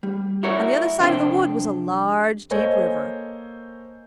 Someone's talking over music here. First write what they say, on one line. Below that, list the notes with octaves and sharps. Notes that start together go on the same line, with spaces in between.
On the other side of the wood was a large deep river.
G3
E4 F#4 G#4 A#4 C#5 D5
F2 C3 D4 C5 G5
A#3 A4 C5 C#5 D#5 G#5